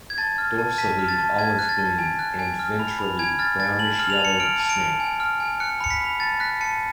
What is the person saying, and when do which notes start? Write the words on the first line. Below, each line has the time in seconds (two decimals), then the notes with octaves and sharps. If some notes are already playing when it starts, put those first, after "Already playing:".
Dorsally olive green and ventrally brownish yellow snake.
0.10 G#6
0.18 A5 A6
0.38 F6
0.58 A5
0.78 A5 B6
0.99 F6
1.08 A6
1.18 A5
1.38 A5 G#6
1.59 F#6
1.69 A6
1.79 A5
1.98 G#5
2.19 F#6
2.39 G#5
2.59 F6
2.79 B5
2.99 B5
3.19 G#5 G#6
3.39 F6 A6
3.59 G#5 A6
3.79 A5 F#7
3.95 F6 F#7
4.10 F7
4.19 A5
4.25 C#7
4.40 F6 D7
4.60 A5
4.70 D7
4.80 A5
5.00 G#5
5.20 F6
5.40 G#5
5.60 F#6 C#7
5.80 B5 C#7
5.90 B6
6.01 B5
6.20 A5 A6
6.40 F#6 B6
6.61 A5 C#7